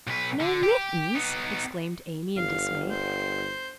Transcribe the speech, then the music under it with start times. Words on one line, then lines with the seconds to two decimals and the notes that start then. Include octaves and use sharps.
"No mittens!" exclaimed Amy in dismay.
0.07 B1 B4
0.40 D3
0.63 G4
1.15 B3 D#4
2.37 G1 F5
2.90 C5